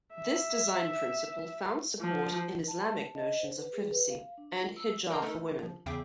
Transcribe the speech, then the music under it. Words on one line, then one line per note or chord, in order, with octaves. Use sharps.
This design principle found support in Islamic notions of privacy, and hijab for women.
E5
F3
A5
D#5
C5
B4
G#4
B4
F5
D4
F4
E6
A#4 D#5 F5 A#5 G6
A3 D#4 A4 A#4
F3
E2 C#3 G#4 E5 G5 D6